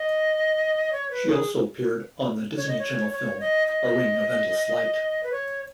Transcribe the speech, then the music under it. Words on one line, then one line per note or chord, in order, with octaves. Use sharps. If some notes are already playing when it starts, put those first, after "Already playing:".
She also appeared on the Disney Channel film, "A Ring of Endless Light".
Already playing: D#5
C#5
B4
G#4
C#5
D#5
C#5
C#5
D#5
D#5
B4
C#5